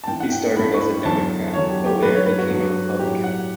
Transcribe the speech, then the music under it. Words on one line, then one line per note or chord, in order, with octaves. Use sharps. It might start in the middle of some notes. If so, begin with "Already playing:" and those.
He started as a Democrat, but later became a Republican.
A5
G2 E3 G5
F#5
G5
G2 E3 B5
C#6
B5
E2 D3 F#3 A5
E2 D3 F#3 C#5
G4
G4
G2 F#3 B4
C#5
B4
F#4
G2 F#3
A2 F#3 G4
F#5